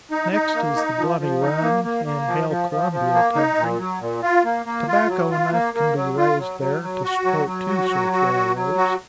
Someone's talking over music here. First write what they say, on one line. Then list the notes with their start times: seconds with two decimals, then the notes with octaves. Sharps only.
Next is the Bloody Run and Hail Columbia country--tobacco enough can be raised there to support two such railroads.
0.11 D#4
0.33 D#4
0.55 A#3
0.75 D#4
0.98 F3
1.20 F3
1.41 D#4
1.62 A#3
1.84 A#3
2.06 A#3
2.27 F3
2.49 F3
2.71 F3
2.92 F3
3.14 A#3
3.36 D#4
3.58 A#2
3.79 F#3
4.01 A#2
4.22 F4
4.44 A#3
4.66 A#3
4.88 F4
5.09 F#3
5.30 F4
5.52 A#3
5.74 A#3
5.96 F#3
6.17 F4
6.39 F#3
6.60 F#3
6.82 F#3
7.04 F#4
7.25 F#3
7.47 F#3
7.68 F#4
7.90 F#3
8.12 F#4
8.34 F#3
8.56 F#3
8.78 F#4